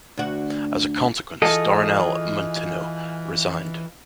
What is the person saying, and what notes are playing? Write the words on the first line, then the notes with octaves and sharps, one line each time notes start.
As a consequence, Dorinel Munteanu resigned.
D2 F#4
E3 F4 G#4 A4 D#5